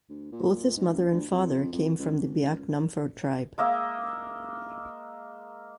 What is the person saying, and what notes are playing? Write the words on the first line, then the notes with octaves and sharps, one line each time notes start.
Both his mother and father came from the Biak Numfor tribe.
D2
A#2
G#2
F#1
D2
F2
F2
C#2
G#1
C#2
G#3 A#3 D#5 E5